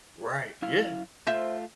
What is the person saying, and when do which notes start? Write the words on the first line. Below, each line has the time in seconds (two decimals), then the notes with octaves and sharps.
Right, yeah,
0.62 F#2 E4 F5
1.27 A3 F4 C5 E5